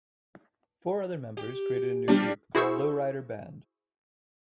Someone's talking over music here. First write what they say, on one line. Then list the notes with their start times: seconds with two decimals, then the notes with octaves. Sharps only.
Four other members created a new group called Lowrider Band.
1.37 G4
2.08 F3 G3 D4
2.55 E4 F#4 G#4 C5 C#6 E6